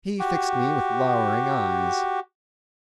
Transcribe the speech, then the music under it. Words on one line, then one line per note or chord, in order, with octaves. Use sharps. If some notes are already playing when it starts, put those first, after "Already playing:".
He fixed me with lowering eyes.
F#4 G4